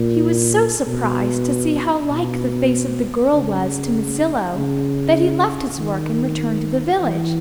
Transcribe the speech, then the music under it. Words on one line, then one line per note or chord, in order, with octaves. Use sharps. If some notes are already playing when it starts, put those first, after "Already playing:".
He was so surprised to see how like the face of the girl was to Masilo, that he left his work and returned to the village.
Already playing: A#2
B2
B2
C#3
C#3
D#3
E3